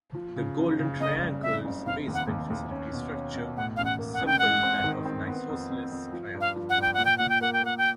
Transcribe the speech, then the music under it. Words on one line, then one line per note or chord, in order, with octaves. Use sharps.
The Golden Triangle's basement facility structure resembled that of an isosceles triangle.
F3
C#3
F#1
C#3
F#1 D#5
G3
F2 E5
F#1
F1 F5
D#2
F#5
D#2
D#2
C#4
B2
C#4
B2
A2 F#5
A1 F5
F#5
A#3
F#5
A1
G5
G#3 F#5
C4
D#3
C4
B3
F2
F2
F2
F3
G2
F5
F3
F#5
G2 G5
A#2 F#5
G5
A#2 F#5
G5
A#3 F#5
G5
A#3 F#5
G5